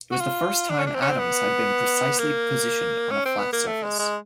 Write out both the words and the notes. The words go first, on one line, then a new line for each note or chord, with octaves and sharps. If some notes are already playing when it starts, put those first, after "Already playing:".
It was the first time atoms had been precisely positioned on a flat surface.
F#4
F4
D4
C#4
D4
C4
C#4
C4
B3
A#3
C#4
C4
B3
A#3
A3
G#3
G#3